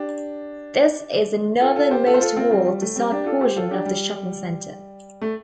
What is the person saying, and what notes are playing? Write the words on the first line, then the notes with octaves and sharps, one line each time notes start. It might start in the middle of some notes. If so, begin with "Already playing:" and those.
This is the northernmost wall of the South portion of the shopping centre.
Already playing: D4 G4
F4 A4
F4 A4
G4 C5
F4 A4
C5
F4 A4
C4 F4
G3 C4
G3
A3
G3 C4
D4 G4
F4 A4
G4 C5
F4 A4
D4 G4
G3
A3